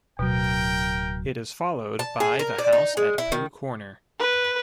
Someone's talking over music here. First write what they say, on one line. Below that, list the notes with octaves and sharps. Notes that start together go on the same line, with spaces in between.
It is followed by "The House at Pooh Corner".
D1 B2 F#3 A#4 G5
A5
G#4
A#4
D5
D#4
G#3
E4
D#3
B4